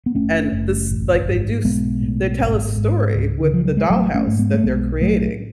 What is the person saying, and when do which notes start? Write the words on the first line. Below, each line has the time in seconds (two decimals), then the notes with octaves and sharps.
And this Like they do s they tell a story with the dollhouse that they're creating.
0.06 B3
0.15 F#1 A3 C#4
0.52 F#1
0.90 A1
1.27 G#2
1.64 B1 G#3 B3
2.02 A2
2.40 G#1
2.77 G#2
3.15 C#2
3.40 D3
3.51 C#3 F3
3.65 F#3
3.77 G#3
3.90 A1 F#3 A3
4.15 A3 C#4
4.27 G#2 A3
4.39 G#3 B3
4.54 A3
4.64 B1 G#3 B3
5.01 A2 F#3 A3